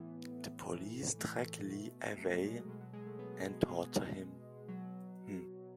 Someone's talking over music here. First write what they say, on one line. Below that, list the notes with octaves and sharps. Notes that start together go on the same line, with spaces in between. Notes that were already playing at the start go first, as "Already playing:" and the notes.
The police drag Lee away and torture him.
Already playing: A2 E3 B3
A2 E3
A3
B2
F#3
G#3
B2 G#3
F#3
G#3
A3
B3
G#3
B2 G#3
B2 F#3